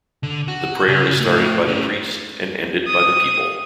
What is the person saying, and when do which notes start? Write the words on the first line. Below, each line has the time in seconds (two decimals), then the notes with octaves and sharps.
The prayer is started by the priest and ended by the people.
0.23 D3
0.48 F#4
0.88 C#3 C#5
1.20 A3 E4
1.68 A3 C#4
2.87 D#6